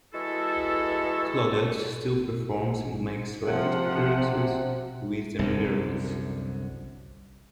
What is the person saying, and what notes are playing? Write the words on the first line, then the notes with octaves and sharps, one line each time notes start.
Claudette still performs and makes selected appearances with the Miracles.
E3 G#3 E4 F#4 A4
C3 F3 F#5
C2 F#2 D3